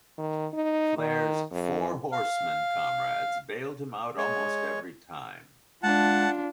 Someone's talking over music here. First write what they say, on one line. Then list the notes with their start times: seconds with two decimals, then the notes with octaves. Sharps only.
Flair's Four Horsemen comrades bailed him out almost every time.
0.18 D#3
0.54 D#4
0.98 D#3
1.52 F2
2.12 F5
4.18 G#3 C#5
5.83 G#3 D4 F4 F#5 A5